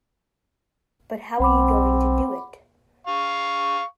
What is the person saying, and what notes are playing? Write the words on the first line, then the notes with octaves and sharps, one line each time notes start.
But how are you going to do it.
B1 C4 F#5 B5 D6
F5 C#6